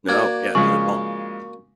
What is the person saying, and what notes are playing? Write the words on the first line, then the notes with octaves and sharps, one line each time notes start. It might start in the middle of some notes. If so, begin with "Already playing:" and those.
No, yeah, not at all.
A#3 F#4 D5 G#6
C#3 F3 G#3 C#6